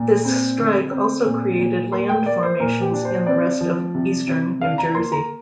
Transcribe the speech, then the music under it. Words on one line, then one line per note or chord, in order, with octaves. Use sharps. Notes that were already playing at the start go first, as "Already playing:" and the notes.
This strike also created land formations in the rest of eastern New Jersey.
Already playing: A#2
C4
D3
C4
A#2
A#2
A#3 C6
G5
A#3 D5
C5
A#2 A#4
G4
D4
C5
C4 D5
F3
C3
C3
D4 F5
A#5
A#3 C6
A#5